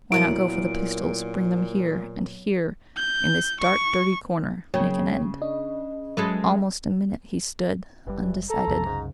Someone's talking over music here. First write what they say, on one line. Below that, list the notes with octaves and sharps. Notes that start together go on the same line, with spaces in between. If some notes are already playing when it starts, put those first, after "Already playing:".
"Why not go for the pistols, bring them here, and here, in this dark dirty corner, make an end?" Almost a minute he stood, undecided.
A#2 F#3 B3 E4 F#4 A#4 F#5 D7
G6
C#6
C#3 F#3 A#3 C#5 G5
D4 D#5
F#3 G#3 C#4 A4 B4 E5
F#1 G2 E3 G3
A4 A#5
C2 F#2 C#3
G#2